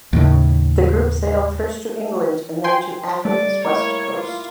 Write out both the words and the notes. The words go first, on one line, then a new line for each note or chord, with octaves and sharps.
The group sailed first to England and then to Africa's west coast.
D#2 A2 C#3
G5 G#5 C6
G3 A3 D5
A#3 E4 C#5 F#5
F4